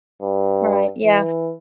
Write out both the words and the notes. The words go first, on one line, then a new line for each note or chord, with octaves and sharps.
Right, yeah.
G2
E3